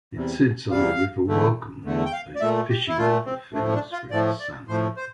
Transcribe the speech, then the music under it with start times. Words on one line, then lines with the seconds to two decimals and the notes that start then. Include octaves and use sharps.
It sits on the River Walkham, a fishing river famous for its salmon.
0.14 E2 C3 G3
0.71 E2 C3 G3 F5
1.27 E2 D3 A3
1.84 E2 D3 A3
2.05 G5
2.13 F5
2.36 D5
2.41 A#2 A3 E5
2.69 G4
2.88 E4
2.97 A#2 A3 F4
3.26 C4
3.54 A2 F3 A3 D4
3.73 D4
3.92 F4
4.11 A2 F3 A3 D5
4.40 D5
4.68 A2 F3 A3 C5
4.97 C5